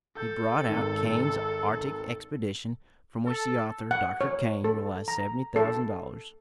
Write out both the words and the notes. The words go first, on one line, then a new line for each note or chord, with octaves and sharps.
He brought out Kane's "Arctic Expedition," from which the author, Dr. Kane, realized seventy thousand dollars.
A4 G6
G#1 D#3
A4
F#5
C#5
A4
A#5
A4